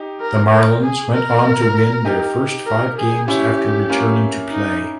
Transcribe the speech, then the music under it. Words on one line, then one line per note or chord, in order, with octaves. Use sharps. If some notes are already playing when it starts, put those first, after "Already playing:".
The Marlins went on to win their first five games after returning to play.
Already playing: D#4 G4
A#4
A#4
G#4
A#4
D#4 G4
A#4
G#4
C#4 E4 G4
A#3 C#4
D#4